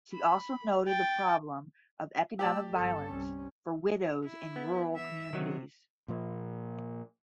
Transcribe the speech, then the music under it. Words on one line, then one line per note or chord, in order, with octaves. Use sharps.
She also noted the problem of economic violence for widows in rural communities.
B5
G5 A6
A3 G4 D5 A5 E6
G1 A4
C2 C#4
E4
B3
E3 E5
C3 D#3 F#3
A#2 F3 A#3